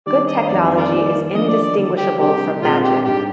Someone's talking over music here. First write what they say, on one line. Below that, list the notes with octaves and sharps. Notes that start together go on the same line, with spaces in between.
Good technology is indistinguishable from magic.
D#3 G3 D4 D5
D#5
D#5
F2 D#3 G3 C4 D#4 D5
F4 A#4 D5
D#3 G3 A#3 D#4
F3 A#3 D4 D#5
D5
D5
D3 G3 D4
G4
C3 G3 D4 G4 G#4
A#2 G#3 C4 F4
G4
G#2 G3 D4 G4